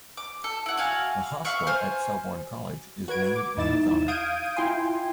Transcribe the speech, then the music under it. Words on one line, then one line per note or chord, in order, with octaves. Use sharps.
The hostel at Selborne College is named in his honour.
D6
A4
E4 F#5
F#4 F5 G#5
E5 F5 C#6 F#6
C5 G#5 F6
F#4 B4 G#6 D7
D6
E2 D#4 E4 A6 E7
F5 D#6 G6 G#6 D7 D#7
E4 F4 G5 G#5 C6